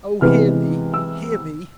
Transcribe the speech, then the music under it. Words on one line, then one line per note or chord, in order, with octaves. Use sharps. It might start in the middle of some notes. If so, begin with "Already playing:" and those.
Oh, hear me! hear me!
C3 E3 G#3 B3 F6
E6